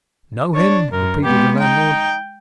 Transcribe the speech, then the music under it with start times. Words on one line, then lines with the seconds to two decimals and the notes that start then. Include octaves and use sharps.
"Know him!" repeated the landlord.
0.55 D4 C#5
0.92 F#2 A#4
1.23 G#3 B3 G4
1.60 D#4 G5